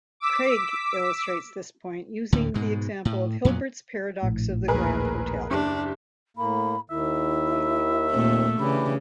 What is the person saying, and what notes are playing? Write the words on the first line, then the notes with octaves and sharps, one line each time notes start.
Craig illustrates this point using the example of Hilbert's paradox of the Grand Hotel.
D6 E6 B6
D2 A2 D3
G#2 B2 G#3
A2
F2 A#2 F#3 B3
A#1 A2
D#2 G#4 A#4 B4
F#1 D4 G4
A2 A#3 B5
D#2 D#3 E4 E5
A#2 A3 C4
C#3 E3 D4 G4 B5